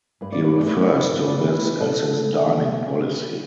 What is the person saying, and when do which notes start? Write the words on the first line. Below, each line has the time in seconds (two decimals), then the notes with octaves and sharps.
He refers to this as his "dining policy".
0.21 G2 B4
0.32 D5
0.44 B4
0.56 D5
0.61 E3 A3
0.67 B4
0.79 D5
0.91 B4
1.01 G2 D5
1.14 B4
1.26 D5
1.38 E3 A3 B4
1.80 B2 A4
2.20 B3
2.60 B2
3.00 B3